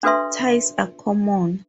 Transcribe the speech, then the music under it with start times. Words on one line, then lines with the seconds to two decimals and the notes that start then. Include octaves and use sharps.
Ties are common.
0.03 D4 F#4 A4 B4 E5 C6